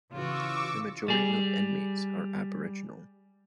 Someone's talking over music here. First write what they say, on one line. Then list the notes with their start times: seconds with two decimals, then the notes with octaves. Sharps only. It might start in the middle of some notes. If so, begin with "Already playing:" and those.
The majority of inmates are Aboriginal.
0.12 C#3 E3 F4 F#4 C#6 D6 E6
1.08 G3 G#4